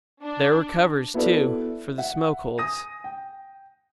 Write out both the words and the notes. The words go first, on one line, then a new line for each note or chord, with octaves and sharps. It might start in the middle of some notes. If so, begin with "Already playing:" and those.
There were covers, too, for the smoke-holes.
D4
B3 E4 F#4 A4 B4 D5
E5 F#5
G#5 D#6 A#6 D#7
G5